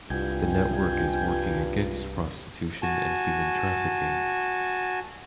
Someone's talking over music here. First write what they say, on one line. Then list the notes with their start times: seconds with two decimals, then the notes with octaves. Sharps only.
The network is working against prostitution and human trafficking.
0.10 C2 G2 F4 G5 G#5
2.82 F#4 G#5 A5